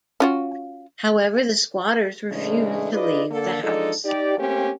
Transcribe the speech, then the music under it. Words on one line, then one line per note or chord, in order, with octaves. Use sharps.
However, the squatters refused to leave the house.
C#4 F4 F#4
A2 C#3 E3 G#3 A3 D4
D#4 F4 G#4 B4 D5 D#5
D3 A#3 A4
E3 F3 G#3 D4 D#4 A4
D#4 G4 D5
A3 A#3 C4 C#4 G4